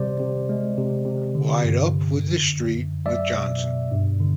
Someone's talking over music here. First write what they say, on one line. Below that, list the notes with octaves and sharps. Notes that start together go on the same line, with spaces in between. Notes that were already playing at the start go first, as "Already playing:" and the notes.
Light up with the street with Johnson!
Already playing: C3 G3 C5 D5
C3
G#3
C3
C3
D3
G2
D3
F#2
F#2
F#2
F#3 D5 E5
B2
B2
G2
D3